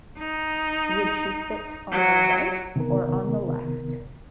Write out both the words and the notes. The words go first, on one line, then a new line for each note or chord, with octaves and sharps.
Would she sit on the right or on the left?
D#4
F#3
C3 D#3 B3 A#4